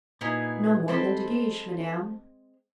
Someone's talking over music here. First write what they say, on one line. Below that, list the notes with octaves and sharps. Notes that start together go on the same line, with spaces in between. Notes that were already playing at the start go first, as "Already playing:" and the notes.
"No more than De Guiche, Madame."
A#2 B3 D#4 E4 G#4
G#3 C4 A4 C5 B5